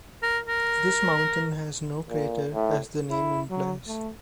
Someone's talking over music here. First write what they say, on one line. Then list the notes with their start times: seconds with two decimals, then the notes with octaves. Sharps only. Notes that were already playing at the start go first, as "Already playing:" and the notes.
This mountain has no crater as the name implies.
0.23 A#4
0.48 A#4
2.09 A#2
2.54 A2
3.11 E4
3.50 F#3
3.87 A3